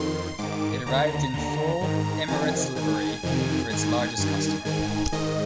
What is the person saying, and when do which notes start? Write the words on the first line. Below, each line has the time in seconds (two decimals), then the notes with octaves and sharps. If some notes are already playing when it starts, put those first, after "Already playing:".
It arrived in full Emirates livery for its largest customer.
Already playing: F2 D#3 C6
0.39 G#2 D#3 D6
0.86 D#2 D3 A#5
1.34 D#2 D3
1.81 G#2 D#3
2.28 F2 C3 D#3 G#5
2.75 G#2 D#3 G#5
3.23 F2 C3 D#3
3.70 G#2 D#3 G#5
4.18 G2 D#3
4.65 G#2 D#3 G#5
5.12 G#2 D#3 D#5